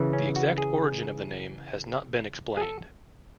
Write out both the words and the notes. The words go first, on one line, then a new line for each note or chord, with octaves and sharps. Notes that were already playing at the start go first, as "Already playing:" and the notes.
The exact origin of the name has not been explained.
Already playing: C#3 E3
C#4
F#4
G#4
G#4
A4